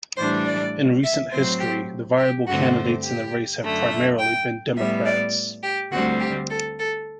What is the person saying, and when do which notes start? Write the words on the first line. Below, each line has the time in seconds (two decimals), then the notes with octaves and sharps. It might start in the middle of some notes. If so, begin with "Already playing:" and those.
In recent history, the viable candidates in the race have primarily been Democrats.
0.16 A2 E3 G3 D4 C5
0.46 D5
1.03 E5
1.32 A2 F#3 C4 C5
1.60 G4
2.18 G4
2.46 G2 D3 A3 C4 F#4
3.04 G4
3.61 F#2 D3 A3
3.91 E5
4.19 G5
4.76 A2 G3 B3 E5
5.05 D5
5.63 G4
5.91 D2 D3 G3 C4 F#4
6.20 G4
6.49 A4
6.78 A4